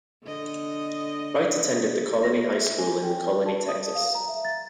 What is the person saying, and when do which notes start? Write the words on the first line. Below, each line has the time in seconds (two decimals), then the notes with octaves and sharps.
Wright attended The Colony High School in The Colony, Texas.
0.23 D3 D#5
2.23 A#6
2.52 E5
2.79 G#5
3.03 G5
3.46 A5
3.68 D#6
3.95 F5
4.15 A#5
4.28 E5
4.45 A6